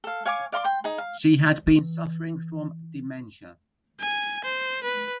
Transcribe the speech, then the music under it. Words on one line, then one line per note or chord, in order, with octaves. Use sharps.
She had been suffering from dementia.
A4 F5
C#5 F5 G#5 D6
D5 F5 C6 D6
G5 C6
D#4 G#4
F5
E3
G#5
C5
B4